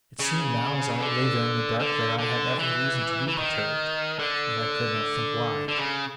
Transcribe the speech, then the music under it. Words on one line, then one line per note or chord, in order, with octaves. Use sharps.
It seemed now as I lay there in the dark that I had every reason to be perturbed, yet I could not think why.
C#3
D3
D3
D3
E3
E3
D#3
D3
D3
C#3